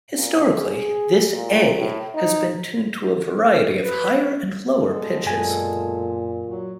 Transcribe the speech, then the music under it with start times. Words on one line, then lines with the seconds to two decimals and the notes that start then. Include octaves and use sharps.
Historically, this A has been tuned to a variety of higher and lower pitches.
0.16 A#2
0.54 G#4
1.33 A#2
1.79 A2
2.15 D#4
3.81 B4
4.78 B2 G#3 A4
5.26 F#2 A#2 G#5
6.48 F#3